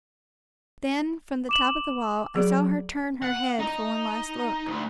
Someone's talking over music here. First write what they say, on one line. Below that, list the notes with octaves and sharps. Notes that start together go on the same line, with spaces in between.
Then from the top of the wall, I saw her turn her head for one last look.
D6 E7 F#7
F#3 G#4 D5
F#5
D#4
D2